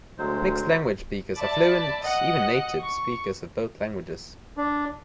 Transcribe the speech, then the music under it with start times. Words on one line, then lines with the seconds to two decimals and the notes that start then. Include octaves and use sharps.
Mixed language speakers are fluent, even native, speakers of both languages.
0.18 D2 F#3 G#3 C5
1.37 D5 E5 A5 B5
2.02 D#5 F#5
2.80 C#6
4.57 D4